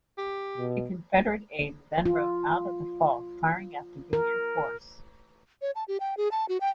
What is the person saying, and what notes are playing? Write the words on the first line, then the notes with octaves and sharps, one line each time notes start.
A Confederate aide then rode out of the fog firing at the Union force.
G4
B2
F4
A#4
C#5
A5
G4
G5
G#4
A5
F#4
G5